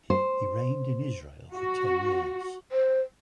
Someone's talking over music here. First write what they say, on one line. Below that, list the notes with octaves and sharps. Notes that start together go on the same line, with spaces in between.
He reigned in Israel for ten years.
C5
F#4
C5